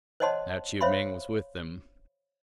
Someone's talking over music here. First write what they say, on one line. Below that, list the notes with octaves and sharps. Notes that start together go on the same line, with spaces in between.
Now Chiu-Ming was with them.
C5 C#5 D#5 F#5 A5 C6
C5 C#5 E5 F5 B5 C6